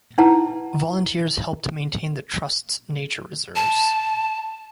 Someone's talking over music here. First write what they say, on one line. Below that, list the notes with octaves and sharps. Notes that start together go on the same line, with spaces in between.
Volunteers help to maintain the Trust's nature reserves.
D#4 E4 B4 F#5 A5 A#5
A5